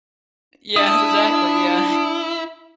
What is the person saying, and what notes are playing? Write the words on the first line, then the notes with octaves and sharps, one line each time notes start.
Yeah, exactly, yeah.
D4 E4 D#6